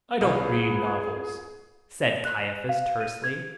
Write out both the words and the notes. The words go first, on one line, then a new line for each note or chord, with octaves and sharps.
"I don't read novels," said Caiaphas tersely.
C2 B3 F4 G#4 B4
F#6
F5
D#7
G#6